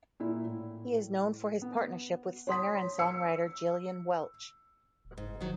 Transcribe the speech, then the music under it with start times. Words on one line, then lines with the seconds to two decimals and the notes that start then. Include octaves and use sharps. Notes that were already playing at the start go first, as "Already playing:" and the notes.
He is known for his partnership with singer and songwriter Gillian Welch.
0.20 A#2 E4
0.45 A2
1.62 B3
2.47 C#5 C6 D#6 B6
2.99 E6 C#7
5.05 D1
5.18 F#1 G#2
5.41 G1 D#3 F#3